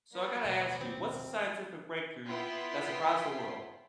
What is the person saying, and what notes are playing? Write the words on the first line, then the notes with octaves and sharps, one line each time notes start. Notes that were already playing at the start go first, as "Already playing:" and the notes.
So I gotta ask you, what's the scientific breakthrough that surprised the world?
F#3 B3 D5
D#2 B2 D#3
C4
B3 E4 F4 G5 B6 C7